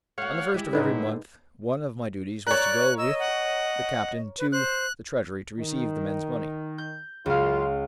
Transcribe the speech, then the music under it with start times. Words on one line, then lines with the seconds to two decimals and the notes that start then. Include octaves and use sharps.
On the first of every month one of my duties was to go with the captain to the Treasury to receive the men's money.
0.18 A3 F#4 C#5 F5 F#5
0.54 G#3 E4 G4
0.73 A2 D3 G#3 D#4 B4
2.47 A#4 C#5 D5 F#6
2.98 D#5 E6
3.19 F#5
4.38 B4
4.52 C5 F#6
5.59 D#3
6.78 G6
7.26 C#2 F#2 F4 F5